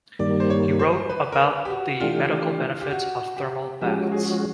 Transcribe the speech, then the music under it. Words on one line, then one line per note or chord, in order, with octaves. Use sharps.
He wrote about the medical benefits of thermal baths.
G2 D#3 G3 A#3 D5
C5
C#5
C5
B4
A#4
B4
G4
F#4
E3 A3 D4 F4 G4
G4
F#4
G4
F3 G#3 C#4 F#4 G4
G#4